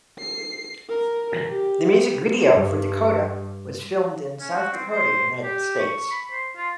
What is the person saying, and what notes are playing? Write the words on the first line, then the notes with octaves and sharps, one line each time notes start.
The music video for "Dakota" was filmed in South Dakota, United States.
C7
A#4
G4
G2
C#4
F#4
C4
C5
G4
C#6
B5
C5
F4